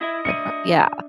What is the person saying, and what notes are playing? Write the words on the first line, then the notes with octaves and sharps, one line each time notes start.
The prob yeah.
E4 D#5 E5
D4 E5 C#7 D#7